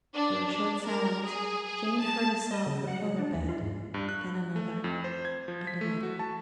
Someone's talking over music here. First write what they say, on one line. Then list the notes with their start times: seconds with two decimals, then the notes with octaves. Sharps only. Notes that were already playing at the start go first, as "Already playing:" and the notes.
After a short silence Jane heard a sob from the other bed, then another, and another.
0.13 D4
0.49 D4
0.84 A#4
1.24 G#4
1.67 G#4
1.99 A5
2.51 D#5
2.66 C#3
2.87 F#5
3.02 G#3
3.19 D4
3.34 D#2
3.49 F4
3.61 G#2
3.94 G2
4.09 F#6
4.56 A3
4.84 F2
5.04 C5
5.25 G#6
5.48 F3
5.67 B6
5.81 A3
6.03 F#4
6.19 A5